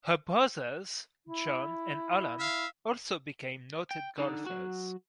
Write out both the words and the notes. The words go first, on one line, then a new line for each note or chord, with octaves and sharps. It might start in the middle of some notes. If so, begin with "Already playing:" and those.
Her brothers John and Allan also became noted golfers.
E4
E5 F5
G5
D3 D#4
F#3 F#4